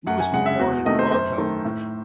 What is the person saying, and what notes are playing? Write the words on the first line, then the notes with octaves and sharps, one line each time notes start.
Lewis was born in Bartow, Florida.
F#2 F#5
G#5
C#3 G#3 F#5
E5
E2 F#4
C3 D#3 A3 D#5
C5
F#2 C5
D#3 A3
A2